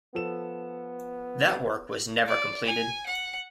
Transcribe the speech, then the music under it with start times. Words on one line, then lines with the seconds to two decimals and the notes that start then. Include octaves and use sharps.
That work was never completed.
0.15 F3 B3 A4 E7
2.28 D5
2.65 G#5
3.07 F#5